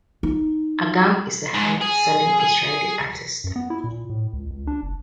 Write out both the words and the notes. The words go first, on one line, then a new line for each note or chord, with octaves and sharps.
Agam is the highest-selling Israeli artist.
D#4
G#2
G#4
G#4
F#2
B3
E4
A#2
A2
C#2
C#2
D4
F#1